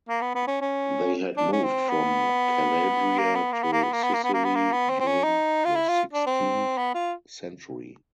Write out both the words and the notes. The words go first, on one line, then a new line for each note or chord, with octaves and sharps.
They had moved from Calabria to Sicily during the sixteenth century.
A#3
B3
B3
C#4
C#4
D4
C#4
C4
B3
A#3
B3
A#3
B3
A#3
B3
A#3
B3
A#3
B3
A#3
B3
A#3
B3
C4
C4
C#4
D#4
F4
E4
F4
D4
C4
B3
F4